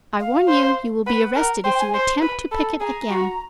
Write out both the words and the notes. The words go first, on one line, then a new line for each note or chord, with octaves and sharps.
"I warn you, you will be arrested if you attempt to picket again."
F5
C5
B4 F#5
A#4
C5 G5
G#5
C5
B4
A4 B5
G#4 A#5
F#4